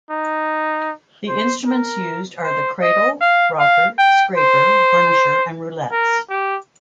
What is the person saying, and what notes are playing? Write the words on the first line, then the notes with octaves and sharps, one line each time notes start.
The instruments used are the cradle, rocker, scraper, burnisher, and roulettes.
D#4
C5
A#4
C5
D#5
F5
F5
G5
C5
A#4
G4